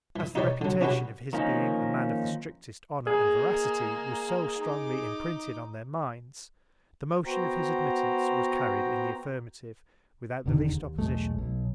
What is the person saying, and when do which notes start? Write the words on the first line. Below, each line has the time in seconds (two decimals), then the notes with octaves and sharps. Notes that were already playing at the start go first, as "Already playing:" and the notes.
As the Reputation of his being a Man of the strictest Honour and Veracity was so strongly imprinted on their Minds, the Motion of his Admittance was carried in the Affirmative, without the least Opposition.
0.16 E3 D#6
0.35 D#4 E4 G4 B4 C#5 D5
0.61 D3 F#3
0.81 C#4 D4 E4 F#4 G4 B4
1.33 D#3 F3 A#3 C#4 D#4
3.07 G#3 A#3 G#4
4.58 D#4 D6
7.26 B3 F#4 C5 G5 A#5
10.46 E1 E2 D3 D#3
10.73 D#2
10.98 B1 E2 G#3 A3
11.38 B1